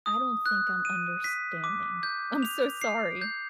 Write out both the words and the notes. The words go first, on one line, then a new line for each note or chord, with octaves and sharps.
I don't think I'm understanding. I'm so sorry.
D#6
F#6
D#7
B6
D6
G6
F7
C7
G6